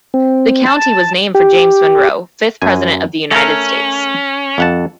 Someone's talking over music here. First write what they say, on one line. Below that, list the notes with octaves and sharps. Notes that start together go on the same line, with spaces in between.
The county was named for James Monroe, fifth President of the United States.
C4
A5
G4
F#2 G#5
A3 C#4 A#4
F2 F#5 A5